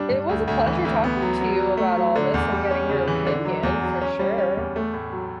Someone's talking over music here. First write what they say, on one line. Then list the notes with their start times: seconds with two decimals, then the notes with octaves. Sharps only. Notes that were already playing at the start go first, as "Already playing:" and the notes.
It was a pleasure talking to you about all this and getting your opinion for sure,
Already playing: G3 D4
0.10 G2
0.29 D2
0.48 D2
0.66 E3
0.85 D2
1.04 B3
1.22 F#3
1.41 F#3
1.59 F#3
1.77 A3
1.96 F#3
2.15 D3
2.34 E2
2.52 G3
2.71 C#4
2.89 C#3
3.07 E3
3.26 D3
3.45 F#3
3.63 E2
3.83 F#3
4.01 C#4
4.19 G3
4.38 C#4
4.57 E2
4.76 A3
4.94 A2
5.13 F#3